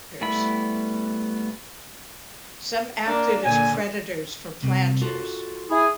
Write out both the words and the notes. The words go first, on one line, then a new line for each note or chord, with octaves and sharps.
Some acted as creditors for planters.
G3 A3 B3 E4 B5
A#3 D4
A#2 D3 G#5
C2 C3
F4 F#4 A4
E4 G#4